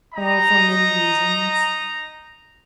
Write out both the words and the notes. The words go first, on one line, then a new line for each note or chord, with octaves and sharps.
"For many reasons."
D#4 D#5 A#5